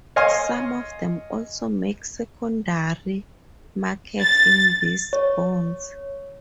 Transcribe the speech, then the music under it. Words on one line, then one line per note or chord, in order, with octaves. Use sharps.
Some of them also make secondary markets in these bonds.
C#5 D#5 F5 G#5 C6
A6
C#5